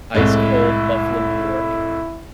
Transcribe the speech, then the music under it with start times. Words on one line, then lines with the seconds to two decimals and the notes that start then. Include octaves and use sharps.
ice cold Buffalo, New York.
0.14 C2 A2 G#3 E4